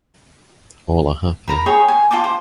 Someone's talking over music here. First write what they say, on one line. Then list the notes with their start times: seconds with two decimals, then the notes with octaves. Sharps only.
All are happy.
1.48 A#4 A#5 B5
1.66 G#4 C#5 G5
1.88 G#5
2.11 F4 G5 A5 D6
2.24 C5